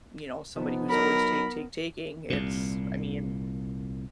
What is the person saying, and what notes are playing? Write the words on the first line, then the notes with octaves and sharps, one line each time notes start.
you know, somebody who's always take, take, taking, it's I mean,
C3 F3 B3 D#4
F#3 D#4 A#4 B5
C2 A#2